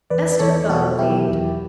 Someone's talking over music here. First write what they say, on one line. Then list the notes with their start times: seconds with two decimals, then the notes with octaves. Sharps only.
Esther felt relieved.
0.10 E2 B4 D5
0.32 D5
0.39 E2 A4 C#5
0.69 B2 F#4 A4
0.98 F#3 E4 G4
1.28 E2